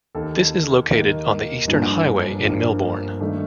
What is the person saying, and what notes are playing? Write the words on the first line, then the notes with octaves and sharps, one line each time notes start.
This is located on the Eastern Highway in Melbourne.
D#2 D#3 A#3 A4
D#2 D#3 A#3 D#4
G1 G2 F3 A#3 D4
G1 G2 F3 A#3
G2 D#3 A3